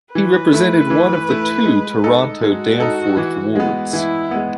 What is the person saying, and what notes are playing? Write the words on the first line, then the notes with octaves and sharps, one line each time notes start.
He represented one of the two Toronto-Danforth wards.
E3 B4
A3 E4
E3
A3 E4
G#3
D#4 A4
G#3 F#4
D#4 A4
E3
G#3 B3
E3 E4
G#3 B3